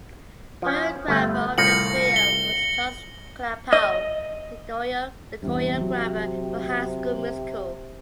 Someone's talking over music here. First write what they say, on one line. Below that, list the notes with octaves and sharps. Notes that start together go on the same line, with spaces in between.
The choreographer of this video was Charles Klapow, the choreographer for "High School Musical".
F3 C#4
G1 A3
C2 A2 F3 A#6 C#7 F#7
G7
D#5
E2 G2 C3
F#3